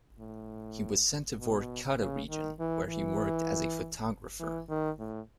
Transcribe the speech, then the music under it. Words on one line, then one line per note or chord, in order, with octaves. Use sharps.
He was sent to Vorkuta region, where he worked as a photographer.
A2
B2
C#3
D#3
E3
E3
E3
D#3
A2